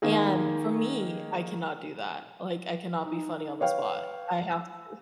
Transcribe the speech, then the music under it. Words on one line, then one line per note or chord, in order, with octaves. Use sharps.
and, for me, I cannot do that, like, I cannot be funny on the spot. I have to
D#3 A#3 G#4
D#4
B4 C#5 F5 G5
E6